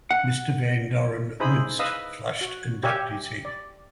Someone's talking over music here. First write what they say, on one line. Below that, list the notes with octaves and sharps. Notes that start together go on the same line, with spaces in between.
Mr. Van Doren winced, flushed, and ducked his head.
F#5
D#4 E4 G#4 C5 B5 D#6
B4 D#5 F5 B5 D#6 E6
F#4
G4 C#5 E5 G5 G#5
D5